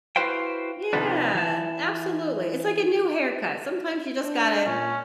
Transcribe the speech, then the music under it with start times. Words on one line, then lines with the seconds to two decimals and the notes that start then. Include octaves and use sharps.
Yeah. Absolutely. It's like a new haircut, sometimes you just gotta
0.16 E4 F#4 B4 C5 F5 G5
0.93 C3 D#3 F3 G3 B3 D4
1.35 E3 A5
4.24 D4
4.66 A#2 C#4